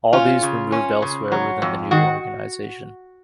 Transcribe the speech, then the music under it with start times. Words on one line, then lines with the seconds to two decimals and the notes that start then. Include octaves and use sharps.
All these were moved elsewhere within the new organisation.
0.13 C#4 F4
0.43 C#3
0.72 C#4
1.02 C#3
1.32 F#3
1.62 F2
1.91 D#3 F#4